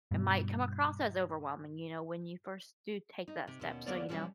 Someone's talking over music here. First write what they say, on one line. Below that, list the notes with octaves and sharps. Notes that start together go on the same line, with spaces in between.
it might come across as overwhelming, you know, when you first do take that step, so, you know,
G2 B2
D#4
C3
D#2 B2 C#4
E2 D3 A#3 B3 C#5 D5
B2 F3 G3 B3 C#4